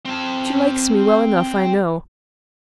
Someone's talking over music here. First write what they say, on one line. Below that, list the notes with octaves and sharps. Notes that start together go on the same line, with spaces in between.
She likes me well enough, I know.
C4 A5